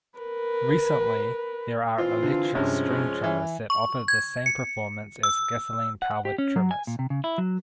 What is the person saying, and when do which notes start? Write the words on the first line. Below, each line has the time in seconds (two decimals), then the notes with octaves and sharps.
Recently there are electric string trimmers that offer the same performance as gasoline-powered trimmers.
0.19 A#4 B4
1.98 E3 C4 F4
2.23 D3
2.55 G2 C3 F3 G#3 C#4
3.24 E3
3.70 C#6
4.08 G#6
4.46 C#7
5.23 E6
6.02 F#5
6.25 G4
6.38 C#4
6.56 F#3
6.71 G#5
6.87 A#2
6.99 C3
7.10 C#3
7.24 E4
7.38 F#3